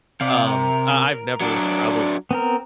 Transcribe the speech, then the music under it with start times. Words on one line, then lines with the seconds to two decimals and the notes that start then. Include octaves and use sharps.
Um, I I've never traveled
0.21 C3 D5 F5
0.47 A#4
1.41 F#3 D4
2.31 B3 C4 A#4